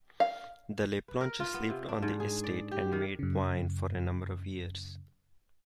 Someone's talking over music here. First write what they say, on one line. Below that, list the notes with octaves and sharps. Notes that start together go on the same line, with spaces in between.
The Laplanches lived on the estate and made wine for a number of years.
F5
B4
A#4
F4
B3
C3
D4
G#2
G#4
D5
G4
D#3
F#2 C#3